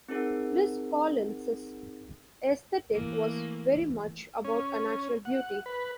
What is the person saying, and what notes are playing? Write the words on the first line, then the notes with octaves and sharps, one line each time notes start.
Liz Collins's aesthetic was very much about a natural beauty.
C4 D#4 G#4 A#4 F#5
E3 A3 A#3
C#4
F#5
B4